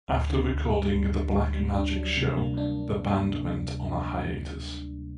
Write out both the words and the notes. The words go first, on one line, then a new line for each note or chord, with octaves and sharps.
After recording "The Black Magic Show", the band went on a hiatus.
D2
D3
D2
G3
D2
D3
D2
G3
D4
F#3
C3
A#3
D4